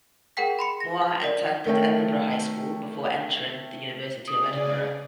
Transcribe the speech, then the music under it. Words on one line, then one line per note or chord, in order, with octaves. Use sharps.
Moir attended Edinburgh High School before entering the University of Edinburgh.
G#4 A#4 F#5 G5 B6
B5 C6 C#7
A#6
F5
A#4 D5
D#3 A3 C#4 G5
C#3 G#4 D5 D#6